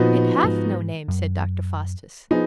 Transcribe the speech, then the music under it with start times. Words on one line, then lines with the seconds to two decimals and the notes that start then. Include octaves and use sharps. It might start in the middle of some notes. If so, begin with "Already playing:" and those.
"It hath no name," said Dr. Faustus.
Already playing: A#2 F3 B3 D#4 F#4
0.44 A#2
0.47 G#2
1.08 F#2
2.31 F3 B3 D#4 G#4